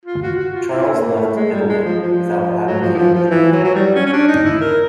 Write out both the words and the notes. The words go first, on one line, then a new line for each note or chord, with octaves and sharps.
Charles left Italy, without having gained anything.
F4
F#4
F#4
F4
E4
A#3
A3
G#3
G3
G#3
F3
F3
F#3
F3
E3
F3
F3
E3
F#3
F#3
G3
C#4
C#4
D4
D#4
E4
A#4